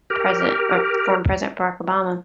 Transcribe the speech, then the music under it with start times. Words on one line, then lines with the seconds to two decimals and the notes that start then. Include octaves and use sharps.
President or former President Barack Obama
0.10 G4 A#4